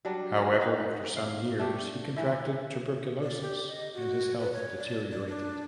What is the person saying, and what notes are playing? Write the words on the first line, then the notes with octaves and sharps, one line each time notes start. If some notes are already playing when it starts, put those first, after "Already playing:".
However after some years he contracted tuberculosis and his health deteriorated.
F#3 G3 D4
F4 A#4
C4 D#4 F5
F5
A3 D4 G4
E3 E4
D5
G4
D#5
F#4
B4
C#5
D5
D5
D4